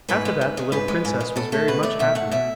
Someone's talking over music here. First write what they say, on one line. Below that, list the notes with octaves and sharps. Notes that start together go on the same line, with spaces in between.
After that the little princess was very much happier.
G#2 B4
G#3
G#2
G#3
G#2 B4
G#3
G#2
G#3
B2 A4
A3 A4
B2 B4
A3 D5
B2 E5
A3 F#5
B2 E5